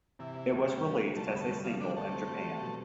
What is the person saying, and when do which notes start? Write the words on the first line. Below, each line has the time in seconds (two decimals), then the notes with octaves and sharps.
It was released as a single in Japan.
0.19 C3 E3
0.35 C3
0.52 D2
0.68 D2 G3
0.85 D2
1.00 C3
1.16 G3 A3
1.32 D2 B3
1.41 A3
1.49 G3
1.64 D2 F3
1.80 G3 D4
1.96 D2 A3
2.13 C4
2.28 G3
2.46 G3
2.61 B2